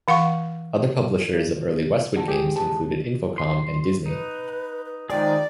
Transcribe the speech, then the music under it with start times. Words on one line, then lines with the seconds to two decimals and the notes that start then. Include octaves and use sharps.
Other publishers of early Westwood games included Infocom and Disney.
0.08 E3 F5 F#5 C#6
2.16 D4 F#4 A4
2.28 E2 G#3 G4 G#4 G5
2.55 C#2 B4 A5
3.38 C6
4.06 D#4 B4
4.85 B4
5.10 D#3 F3 G#3 D#4 G#4 D5 G5